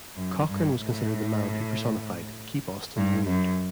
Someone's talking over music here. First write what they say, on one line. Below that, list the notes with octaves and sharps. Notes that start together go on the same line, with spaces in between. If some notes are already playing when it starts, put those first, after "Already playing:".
Cochran was considered the man who personified Keep Austin Weird.
F#2
G2
A2
G2
F#2